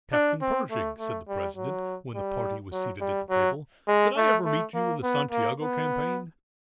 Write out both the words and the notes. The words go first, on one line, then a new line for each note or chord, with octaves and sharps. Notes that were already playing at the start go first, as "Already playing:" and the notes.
"Captain Pershing," said the President, when the party was seated at the table, "did I ever meet you in the Santiago campaign?"
D4
C4
A3
A3
G3
F#3
G3
F#3
G3
F#3
G#3
A3
A3
A#3
B3
A#3
B3